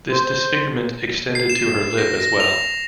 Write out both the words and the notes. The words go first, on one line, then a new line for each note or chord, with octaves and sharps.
The disfigurement extended to her lip as well.
C5
C7
E7
A#6
A#6
F7